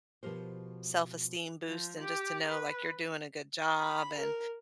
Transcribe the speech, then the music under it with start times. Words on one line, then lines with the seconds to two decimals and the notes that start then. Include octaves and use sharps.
self-esteem boost and just to know, like, you're doing a good job and
0.23 B2 F3 G4 A#4 C5
1.68 F3
2.00 G4
2.49 B4
3.78 B5
4.18 A#4